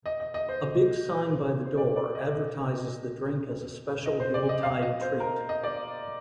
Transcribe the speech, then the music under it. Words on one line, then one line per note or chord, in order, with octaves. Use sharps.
A big sign by the door advertises the drink as a special Yuletide treat.
D#5
D#5
D#5
C5
C5
D5
D5
D#5
D#5
D#5
C5
D5
D#5
F5
D#5
C5
A#4
D#5
D5